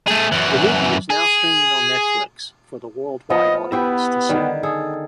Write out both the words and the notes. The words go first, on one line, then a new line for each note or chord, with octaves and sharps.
The movie is now streaming on Netflix for the worldwide audience to see.
A3 G#4
F#2 E3
G#4
F3 B3 D#5
B3 E4 G4 B4
D3 D#3 G3
G#4 A4